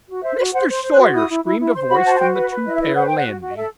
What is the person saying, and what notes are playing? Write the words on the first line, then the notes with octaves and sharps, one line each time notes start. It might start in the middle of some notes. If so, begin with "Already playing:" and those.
Mr. Sawyer!' screamed a voice from the two-pair landing.
F#4
C5 E5
F#4
C5 F#5
C5 C6
C5
F#6
F#4
E4 D#6
E4
E4
E4
C5 C6
F#4 B5
C5 A5
A5
F#4 G5
B4
B4
E4 D#5
E5
B4 D#5
C5 F#5
C5 G5
F#5
F#4
F#4
D#5
A4 E5